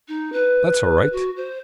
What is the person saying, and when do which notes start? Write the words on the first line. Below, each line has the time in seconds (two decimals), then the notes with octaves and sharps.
That's all right.
0.08 D#4
0.32 B4
1.12 F#4
1.36 C5